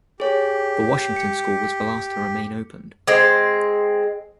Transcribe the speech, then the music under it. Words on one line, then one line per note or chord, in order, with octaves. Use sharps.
The Washington School was the last to remain opened.
G4 G#4 C#5
C#7
G#3 C4